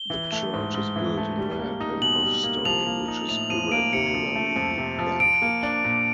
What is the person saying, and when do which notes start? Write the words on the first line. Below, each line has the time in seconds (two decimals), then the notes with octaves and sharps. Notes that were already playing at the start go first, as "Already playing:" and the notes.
The church is built in red and buff stone, which is irregularly banded.
Already playing: G7
0.10 E3
0.32 A3
0.54 G#2
0.74 G#2
0.96 E3
1.17 A3
1.38 G3
1.59 A#3
1.80 D#4
2.01 B2 F#7
2.22 G3
2.43 A#3
2.65 F3 F7
2.86 A#3
3.08 D#4
3.28 A2 F7
3.50 F3 D#7
3.72 A#3 D7
3.93 C3 C#7
4.14 F3
4.35 A3
4.56 F2
4.78 C3
4.99 F3
5.20 F3 D7
5.42 A#3
5.63 D4
5.84 A#2